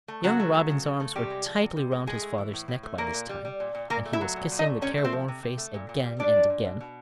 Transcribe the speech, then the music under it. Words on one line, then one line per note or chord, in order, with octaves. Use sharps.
Young Robin's arms were tightly round his father's neck by this time, and he was kissing the care-worn face again and again.
A3
C#3 F#3 F#4
A3
F#3
C#3
C#3
A3
C3 G3 G4
G#3
F3
C3
C3
G#3
A2 G#3 G#4
A3
E3
A2
A2
A3
A#2 A#3 A#4
A#2
G3
G3
A#2
A#2
A#2 A#3 A#4
A3
E4 E5
F#3
A#2
A#2
D#4 D#5
A3
C3 C#4 C#5
A3
C4 C5
F3
C3
C3
A3
A#2
A#2
G3
G3 D4 D5
A#2
A#2
B2
B2